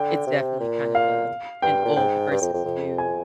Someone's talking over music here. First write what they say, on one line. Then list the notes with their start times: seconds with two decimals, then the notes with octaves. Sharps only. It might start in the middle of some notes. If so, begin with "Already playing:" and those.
it's definitely kind of a an old versus new
Already playing: D3 G5
0.27 C3
0.60 A#2
0.95 F5
1.62 G2 G5
1.85 A#2
1.96 G#2 G5
2.31 G2
2.41 F2
2.54 F2
2.65 F2
2.98 G#5